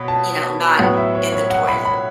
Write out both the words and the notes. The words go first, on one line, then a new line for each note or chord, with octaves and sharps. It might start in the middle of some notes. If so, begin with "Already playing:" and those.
you know, not in the toilet.
Already playing: B2 C#5 B5
A5
A2 F#3 B3 F#5
E5
C#5
C#5
F#5
B5
B5